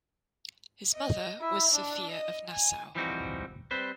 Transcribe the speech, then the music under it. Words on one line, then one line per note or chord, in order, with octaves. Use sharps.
His mother was Sophia of Nassau.
D#5
E4
D4
D#5
G#5
E3 F3 G3 C4 D#4 F#4
G3 C4 B4 C5